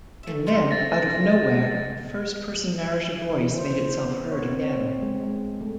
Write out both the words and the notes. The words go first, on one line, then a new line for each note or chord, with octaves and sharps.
And then, out of nowhere, the first-person narrative voice made itself heard again.
A3 E5
C3 A3 F4
A6 A#6
E3
C5
C5
B3
C#5
C4
G#3
G#3
A3